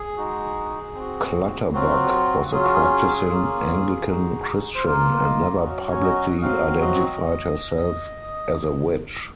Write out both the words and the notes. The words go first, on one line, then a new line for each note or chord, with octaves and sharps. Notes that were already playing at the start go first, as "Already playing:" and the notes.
Clutterbuck was a practising Anglican Christian, and never publicly identified herself as a witch.
Already playing: G#4
G#3 D#4 F#4
C4 F#4
F#3 C4 F4 F#4
F#3 C#4 F4 G#4
F#4
G#4
A#3 C#4 F4
G#3 D#4 F#4
C5
A#3 F4 A#4
D#5
F#3 C#4 F#4
C#5
D#5
F#3 C4 F#4 F5
D#5